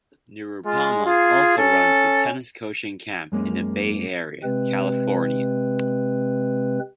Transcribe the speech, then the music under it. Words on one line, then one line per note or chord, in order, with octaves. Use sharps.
Nirupama also runs a tennis coaching camp in the Bay Area, California.
G#3 F4
F4 G#4
C#4 A4
F#2 G#3 A#3 C#4
C3 G#3 C4 B4